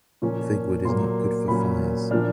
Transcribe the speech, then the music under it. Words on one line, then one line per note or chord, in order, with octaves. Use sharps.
Fig wood is not good for fires.
A#2 F3 A#3 C#4
A#2 F#3 A#3 C6
A#2 F#3 A#3 C#4 B5
A#2 F3 A#3 D4 F6